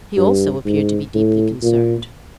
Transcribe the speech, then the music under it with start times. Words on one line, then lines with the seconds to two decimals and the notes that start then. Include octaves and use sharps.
He, also, appeared to be deeply concerned.
0.17 G2
0.66 G#2
1.15 A2
1.63 A#2